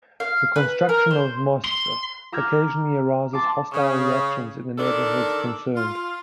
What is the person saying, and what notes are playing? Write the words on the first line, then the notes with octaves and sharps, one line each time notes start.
The construction of mosques occasionally arouses hostile reactions in the neighbourhoods concerned.
F5
B4
A#4
C5
C6
A#5 D6 E6 F6 G6 G#6
A5 C6 D6
C#3
D#3 D4 A4 D5
F4